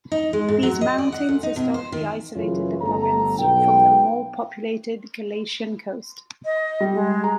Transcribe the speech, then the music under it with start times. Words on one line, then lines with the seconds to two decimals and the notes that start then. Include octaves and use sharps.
These mountains historically isolated the province from the more populated Galician coast.
0.12 D#4
0.33 G#3
0.48 G#2
0.63 F#3
0.81 D#5
0.98 D5
1.12 F#5
1.29 D2
1.43 D#4
1.56 B2
1.74 C5
1.92 D#3
2.36 F#2 C#3 E3 F4 G#4 C#5
2.81 G1 A3 A4 A#5
3.39 B1 A4 B4 G5
6.45 D#5
6.80 G3
6.94 G#3
7.24 A#5